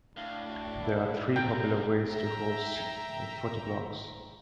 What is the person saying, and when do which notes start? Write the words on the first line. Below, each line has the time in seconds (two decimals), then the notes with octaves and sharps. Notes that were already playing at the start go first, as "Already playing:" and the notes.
There are three popular ways to host a photoblogs.
0.17 A2 D4 F5
0.47 F#4
0.81 E4
1.36 A#2 D3 G5 A#5
2.08 E5 G5 A#5